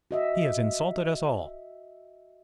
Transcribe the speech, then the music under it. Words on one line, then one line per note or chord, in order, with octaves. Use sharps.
He has insulted us all.
F#4 D#5 E5